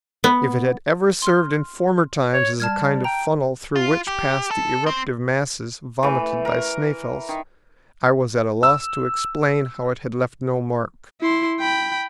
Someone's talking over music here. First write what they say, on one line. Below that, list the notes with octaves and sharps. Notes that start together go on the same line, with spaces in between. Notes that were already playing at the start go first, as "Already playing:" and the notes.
If it had ever served in former times as a kind of funnel through which passed the eruptive masses vomited by Sneffels, I was at a loss to explain how it had left no mark.
B3
C6 F6
C#5
G3 A5 F6 G#6
G5 A#5
F4
G4
A4
C4
E3 A3
A#4
D#3
E6
E4 C6
G5 B5